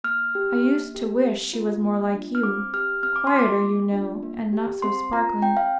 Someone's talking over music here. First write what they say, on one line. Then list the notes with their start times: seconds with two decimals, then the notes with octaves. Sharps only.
I used to wish she was more like you--quieter, you know, and not so sparkling.
0.04 A#3 F6
0.35 G4
0.65 A#3
0.95 G4
1.24 C4
1.53 F4
1.84 A#3
2.14 D4 F4
2.35 F6
2.43 C4 D6
2.73 G4 F6
3.03 C4 F6
3.16 D6
3.27 C6
3.34 F4
3.39 D6
3.63 A#3
3.92 D4 F4
4.23 A#3
4.53 G4
4.82 C4 C6
5.13 F4 A#5
5.42 C4 G5
5.57 F5